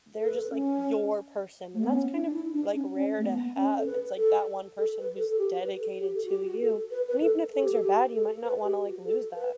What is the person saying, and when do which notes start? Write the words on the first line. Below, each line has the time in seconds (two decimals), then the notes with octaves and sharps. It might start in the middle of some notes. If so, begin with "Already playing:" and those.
they're just, like, your person, and that's kind of, like, rare to have, it's like that one person who's dedicated to you, and even if things are bad, you might not wanna, like, lose that.
0.19 A4
0.28 B4
0.36 A4
0.50 C#4
1.74 A3
1.84 B3
1.93 C#4
2.13 D4
2.25 D4
2.33 E4
2.54 D4
2.74 C#4
2.94 C#4
3.18 A3
3.25 B3
3.56 C#4
3.79 A4
3.86 B4
4.17 A4
4.78 A4
4.99 B4
5.18 A4
5.29 A4
5.39 G4
5.60 B4
5.80 A4
6.00 G4
6.15 A4
6.25 F#4
6.30 G4
6.46 F#4
6.61 A4
6.91 B4
7.08 B4
7.22 A4
7.52 A4
7.63 G4
7.73 A4
7.83 G4
8.14 A4
8.44 B4
8.65 G4
8.85 F#4
9.05 A4
9.36 B4